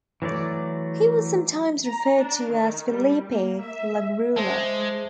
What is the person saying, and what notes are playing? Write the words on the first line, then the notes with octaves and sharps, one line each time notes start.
He was sometimes referred to as Philippe Lagrula.
E3 F#3 A3 D5
A#5
D4
D#3
G3
A#3
E5
G#3 C5 E5 A5